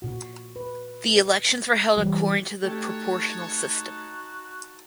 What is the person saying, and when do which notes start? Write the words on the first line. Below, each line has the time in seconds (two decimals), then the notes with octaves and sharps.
The elections were held according to the proportional system.
0.02 A#2 F#4
0.56 B4
1.96 E3 G3 G4
2.63 A3 D#4 F#4 G4 C#5 A5